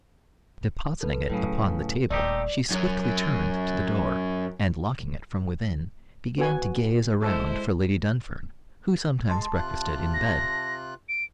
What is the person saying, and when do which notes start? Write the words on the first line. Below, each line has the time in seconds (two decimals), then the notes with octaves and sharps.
Depositing it upon the table, she swiftly turned to the door, and locking it from within, began to gaze around for Lady Dunfern, who sometimes breakfasted in bed.
1.01 A4 B4
1.30 A2 C#3 F#3
2.10 D#1 A3 D#4 G4 D5
2.71 F#2 F#3
6.38 B3 F#4 G#5
7.22 G#3 E4 A4 C5
9.29 G#3 A5 C6
9.55 C3 F4 F#6
10.14 A#6
11.09 D7